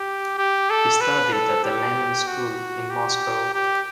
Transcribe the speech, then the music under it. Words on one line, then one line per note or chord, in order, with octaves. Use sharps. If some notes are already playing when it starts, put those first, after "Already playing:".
He studied at the Lenin School in Moscow.
Already playing: G4
G4
A4
B4
A4
G4
F#4
G4
G4